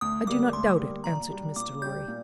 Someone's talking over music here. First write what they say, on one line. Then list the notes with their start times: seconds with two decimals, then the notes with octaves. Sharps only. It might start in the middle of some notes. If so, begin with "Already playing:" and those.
"I do not doubt it," answered Mr. Lorry.
0.01 D2 D#6
0.27 D3 G3 A#3 D6
0.53 D2 C6
0.79 D3 G3 A#3
1.04 A#2 A#5
1.30 G3 D4 G4
1.56 A#2 D6
1.82 G3 D4 G4 G6
2.08 A#2